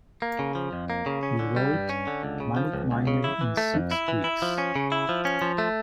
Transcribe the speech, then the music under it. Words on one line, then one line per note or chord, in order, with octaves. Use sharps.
He wrote "Manic Miner" in six weeks.
A#3
C#3
F3
F2
A#3
C#3
C#4
D3
G3
G2
C#4
D3
C#2
C#3
F3
C#2
C#2
C#3
E4
E3
A3
F2
E4
E3
E4
F3
C#4
C#3
E4
F3
C#4
F3
A3